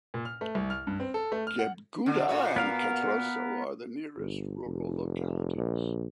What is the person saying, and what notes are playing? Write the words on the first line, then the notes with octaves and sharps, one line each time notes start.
Gebguda and Katroso are the nearest rural localities.
A#2
F6
A3
C2
F6
G2
C4
A4
A3
F6
F#5
D3
A#2 F#4
B3 A#4 F5
G1
F1
A#1